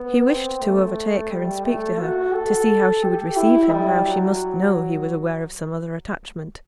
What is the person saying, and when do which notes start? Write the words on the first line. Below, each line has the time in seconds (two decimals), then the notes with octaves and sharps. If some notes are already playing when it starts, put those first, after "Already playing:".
He wished to overtake her, and speak to her, to see how she would receive him, now she must know he was aware of some other attachment.
Already playing: B3
0.28 C4
0.62 A3
1.31 G3
1.65 A3
2.00 F#4
2.34 A4
3.04 G4
3.37 E4
3.72 G3
4.06 F#3